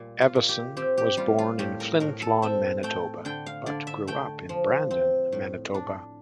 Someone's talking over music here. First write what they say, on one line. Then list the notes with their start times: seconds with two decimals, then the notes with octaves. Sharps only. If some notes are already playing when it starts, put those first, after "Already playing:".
Evason was born in Flin Flon, Manitoba, but grew up in Brandon, Manitoba.
Already playing: A#2 G3
0.21 F4
0.35 A#2
0.49 G4
0.77 C4 G4
0.97 G4
1.17 G3 F4
1.39 F4
1.59 A2 G4
1.80 A#4
2.00 A2 A#4
2.22 A4
2.42 C4 E5
2.83 A3 G5
3.25 D3 G5
3.46 F5
3.66 D3 D5
3.87 E5
4.07 A3 G5
4.49 F3
4.91 C4
5.32 A2
5.74 D4